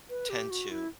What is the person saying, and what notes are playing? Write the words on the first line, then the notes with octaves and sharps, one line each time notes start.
tend to,
B4
G4
F#4
E4